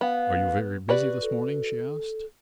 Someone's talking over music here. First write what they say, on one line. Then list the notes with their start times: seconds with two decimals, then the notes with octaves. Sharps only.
"Are you very busy this morning?" she asked.
0.01 B3 F5
0.89 F#4 G4 B4 D5
1.22 A4